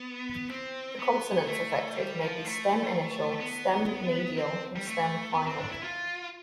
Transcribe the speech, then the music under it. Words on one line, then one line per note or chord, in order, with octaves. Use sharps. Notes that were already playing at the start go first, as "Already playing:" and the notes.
The consonants affected may be stem-initial, stem-medial, or stem-final.
Already playing: B3
C4
B3
A3
G3
F3
A3
B3
C4
G3
A3
B3
C4
D4
E4
F4